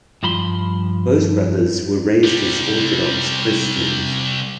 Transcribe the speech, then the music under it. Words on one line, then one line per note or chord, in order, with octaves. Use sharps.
Both brothers were raised as Orthodox Christians.
G2 F3 B5 C6
C3 G3